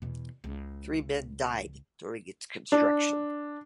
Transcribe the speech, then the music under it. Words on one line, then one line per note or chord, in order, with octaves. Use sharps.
Three men died during its construction.
E2 B2
C#2
D4